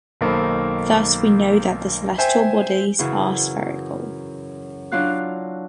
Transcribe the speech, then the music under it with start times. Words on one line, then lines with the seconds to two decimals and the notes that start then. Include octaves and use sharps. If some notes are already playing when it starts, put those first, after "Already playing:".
Thus we know that the celestial bodies are spherical.
0.21 B1 D#3 A#3 A4 C5 B5
2.18 C5 E5 G5 G#5
2.99 F#2 C#3 E3 E4
4.92 F#3 D4 E4 F4 F5 F#6